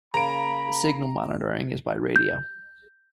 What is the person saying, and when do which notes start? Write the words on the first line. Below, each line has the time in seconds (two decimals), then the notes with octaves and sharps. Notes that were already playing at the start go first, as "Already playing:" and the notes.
Signal monitoring is by radio.
0.14 C#3 A#3 A#5 B5 D7
2.16 G6